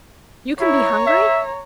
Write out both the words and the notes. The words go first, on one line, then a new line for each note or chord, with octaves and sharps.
"You can be hungry?"
E4 C#5 A#5
E5